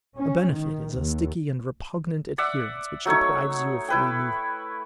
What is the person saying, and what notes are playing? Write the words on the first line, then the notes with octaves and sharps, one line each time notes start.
A benefit is a sticky and repugnant adherence which deprives you of free movement.
C#4
D#3
D#2
D5 E5 F#5
F#3 A3 D#4 C#5
E4 B4 G5